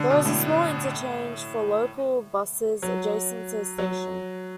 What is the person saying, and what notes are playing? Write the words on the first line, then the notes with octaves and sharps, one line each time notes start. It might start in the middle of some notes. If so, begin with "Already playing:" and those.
There is a small interchange for local buses adjacent to the station.
Already playing: D3
B2
A2
F#3
F#3